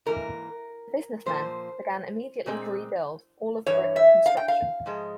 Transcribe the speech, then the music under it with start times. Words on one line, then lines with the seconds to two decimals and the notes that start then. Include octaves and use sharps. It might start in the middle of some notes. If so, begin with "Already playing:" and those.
The businessmen began immediately to rebuild, all of brick construction.
0.06 G#2 E3 A#3 A#4
1.26 A#2 F3 A#3 C5
2.46 A#2 G#3 C4
3.66 G2 E3 C#5
3.96 E5
4.26 F5
4.37 G5
4.48 F5
4.86 G#2 F3 G#3